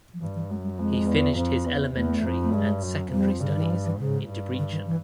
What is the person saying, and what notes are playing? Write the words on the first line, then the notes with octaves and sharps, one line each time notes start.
He finished his elementary and secondary studies in Debrecen.
F3
G2 E3
E3
F#2 G#3
G3
F2 G#3
E2
F2
E2
E2 A3
A#3
A3
F2
A3
G2 G#3
F#2
F2 G3
G2 C#3
D3
D#3
E3
F3
E3
G#2 C#3
G2
D3
D#3
E3